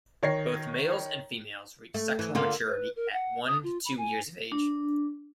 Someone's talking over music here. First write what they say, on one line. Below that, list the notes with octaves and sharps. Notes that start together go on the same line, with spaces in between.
Both males and females reach sexual maturity at one to two years of age.
D#3 C#5 A#6 C7
A3
E3
D3 A#3 F4
B4
A#4
F#5
D#6
F4
B5
G#5
D4